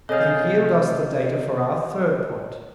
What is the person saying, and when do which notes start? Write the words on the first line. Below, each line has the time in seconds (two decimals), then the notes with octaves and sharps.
They yield us the data for our third point.
0.09 C3 G#4 A4 C#5 D#5 F5 G6